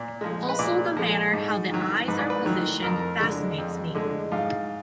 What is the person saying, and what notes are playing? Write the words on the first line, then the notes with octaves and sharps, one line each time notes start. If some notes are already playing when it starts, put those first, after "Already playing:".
Also the manner how the eyes are positioned fascinates me.
Already playing: A#2 D5
F3 G#3
B4
A#2 D5
F3 G#3
G#2
D#3 F#3
G#2 B4
D5
B4
D#3 F#3
F2 A#4
D3 G#3
F2
D3 G#3
G#2 F4